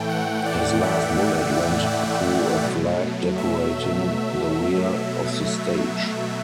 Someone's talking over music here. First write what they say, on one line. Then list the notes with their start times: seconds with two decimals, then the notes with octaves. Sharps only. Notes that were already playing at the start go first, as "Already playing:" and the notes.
His last bullet went through a flag decorating the rear of the stage.
Already playing: A2 E3 A3 G5
0.09 F#5
0.46 D5
0.83 E5
1.18 F#5
1.55 E5
1.91 D5
2.64 B2 F#3 A3
3.38 E5